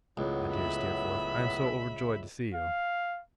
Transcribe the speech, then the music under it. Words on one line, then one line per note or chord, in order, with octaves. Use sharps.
My dear Steerforth, I am so overjoyed to see you!'
C#2 A2 F#3 B3
E5 B5
F5